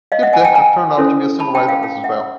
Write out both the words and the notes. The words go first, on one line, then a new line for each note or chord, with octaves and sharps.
Piet Dekker turned out to be a songwriter as well.
D#5 F5
E5 F#5
F#5 G#5
G5 A5
G#5 A#5
C#4 E4 A4 C5
A5 B5
G5 A5
F5 G5
F5 G5
E5 F#5